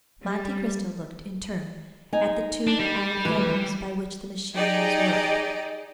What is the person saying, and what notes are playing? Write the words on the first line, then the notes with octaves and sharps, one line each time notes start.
Monte Cristo looked in turn at the two iron handles by which the machine was worked.
G3
D#4 G#5
D4
G3
D2 E3 B4
D#4 G4 G#4 D5 D#5 D7